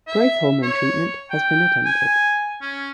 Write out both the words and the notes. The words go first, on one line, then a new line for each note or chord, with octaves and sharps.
Growth hormone treatment has been attempted.
E5
C#5
G5
G#5
C#4